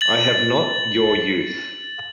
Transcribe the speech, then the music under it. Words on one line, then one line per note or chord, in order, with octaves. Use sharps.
I have not your youth.
A6 F#7